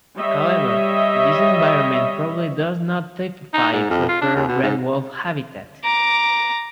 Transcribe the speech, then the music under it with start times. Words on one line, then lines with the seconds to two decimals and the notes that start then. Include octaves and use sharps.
However, this environment probably does not typify preferred red wolf habitat.
0.16 G3 C#5 D#5 E5
3.54 D#4
3.73 G#2
3.90 F2
4.09 F4
4.21 D4
4.35 D#2
4.48 B2
4.63 G#2
5.84 A#5 D6